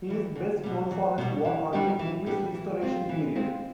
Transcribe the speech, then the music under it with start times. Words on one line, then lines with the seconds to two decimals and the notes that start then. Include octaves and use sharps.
He is best known for his work on the English Restoration period.
0.08 E3 G3
0.35 E2
0.63 B2 G3
0.91 E2
1.18 B2 G3
1.45 E3
1.73 G3 B3 D4 G4
1.99 E3
2.26 G3 B3 D4 G4
2.54 E3
2.81 G#3 C4 F4
3.09 E3
3.35 G#3 C4 F4